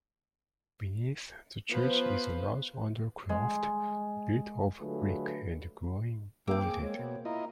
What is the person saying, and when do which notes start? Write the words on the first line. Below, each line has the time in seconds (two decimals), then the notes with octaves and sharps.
Beneath the church is a large undercroft, built of brick and groin vaulted.
1.70 F3 B3 B4 C5
3.29 G#3
4.81 D3 F#3 A3 F4 G#4 B4
6.47 A#3 C4 D6 E6
6.63 G#4
6.82 G#3 C#5
6.99 B2
7.25 E4 F4 D#5 A#5